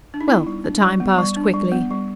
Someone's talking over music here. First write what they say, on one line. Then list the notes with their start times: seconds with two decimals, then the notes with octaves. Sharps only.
Well, the time passed quickly.
0.14 D4
0.21 D#4
0.28 B3 E4
0.47 G3
0.64 D4
0.82 G3
1.00 B3
1.18 G3
1.36 D4
1.54 G3
1.72 B3
1.91 G3